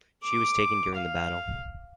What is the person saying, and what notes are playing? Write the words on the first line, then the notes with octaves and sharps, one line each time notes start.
She was taken during the battle.
D6
F5